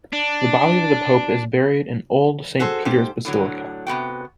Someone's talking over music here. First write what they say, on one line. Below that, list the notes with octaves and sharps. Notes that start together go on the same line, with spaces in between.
The body of the pope is buried in Old Saint Peter's Basilica.
D4
F#4 G#4 A4 C5
G#2 G4 C5
A2 D3 F#3
C3 B3 F#4 G5